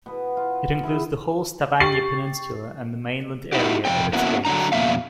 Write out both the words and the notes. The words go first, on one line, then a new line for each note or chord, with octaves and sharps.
It includes the whole Stavanger Peninsula and the mainland area at its base.
B2 B3
F4
E4 G#4
G4 C#6 A6 C7 F#7
D#4 E4 F#4 G4
F2 C3 G#3 C#4 G5
A#3 B3 C#4 E4 F#4
D3 F#3 D4 A#5
F2 B2 A#3 E5 F5